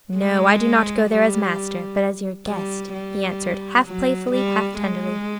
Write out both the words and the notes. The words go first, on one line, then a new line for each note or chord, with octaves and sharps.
"No, I do not go there as master, but as your guest," he answered, half playfully, half tenderly.
G#3
G3
G3
G3
F#3
G3
G#3